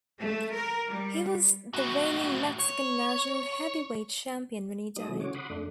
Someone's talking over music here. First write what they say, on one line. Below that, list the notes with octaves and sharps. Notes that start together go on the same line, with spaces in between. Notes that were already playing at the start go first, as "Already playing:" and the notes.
He was the reigning Mexican National Heavyweight Champion when he died.
A3
A#4
G3
A2 F#4
C#5
G3 D#4 D#6
C3 E3 F#3 A3
C#3 C#4 F#4 C#5 D6
F#5 B5 C6 D6 D#6
F2 A3 D4